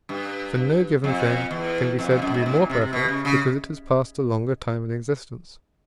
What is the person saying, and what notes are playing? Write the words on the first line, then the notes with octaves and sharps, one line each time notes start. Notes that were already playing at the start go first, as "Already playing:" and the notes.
For no given thing can be said to be more perfect, because it has passed a longer time in existence.
G2
F2
E2
F2
F2
F#2
G#2
A2
A#2
C3
C3
B2
C#3
C#3